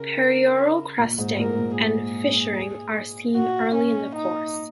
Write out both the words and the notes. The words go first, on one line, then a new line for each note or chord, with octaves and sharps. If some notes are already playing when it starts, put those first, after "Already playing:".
Perioral crusting and fissuring are seen early in the course.
Already playing: C#3 A#4
A#2
G#2
A#2 A#4
A#2
G#4
A#2 F#4
C#4
D#4